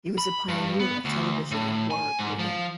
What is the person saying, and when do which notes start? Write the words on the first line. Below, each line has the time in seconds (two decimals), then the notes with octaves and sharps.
He was a pioneer of television and war reporting.
0.18 B5
0.48 G2
0.80 B3
1.05 D2
1.51 A2
1.91 G#5
2.19 G#2
2.39 F3